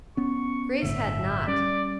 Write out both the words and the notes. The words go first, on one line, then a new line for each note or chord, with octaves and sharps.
Grace had not.
B3 C#4 C#6
G1 A2 D3 E5
G3 C#4 D5